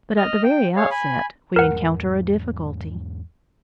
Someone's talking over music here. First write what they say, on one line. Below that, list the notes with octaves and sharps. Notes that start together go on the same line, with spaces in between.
But at the very outset we encounter a difficulty.
D#5 F6
G5
G#4 C#5 F5
G#5 B5
E2 G#2 G#3 A#4 F#5